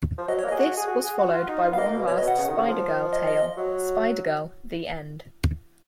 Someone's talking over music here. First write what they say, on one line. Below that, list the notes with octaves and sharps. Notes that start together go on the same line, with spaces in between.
This was followed by one last Spider girl tale, "Spider-Girl: The End".
F3
F#3 D#5
C#5
A#3 D#5
G#4
F#4
G#4
F#4
G#4
F#4
F4
D#4
F4
B3 F5
A#3 D#5
B2
B2 C#5
D#5
B2
F#5
C#3
D#3
C#3
F3
D#5
D#5
F#3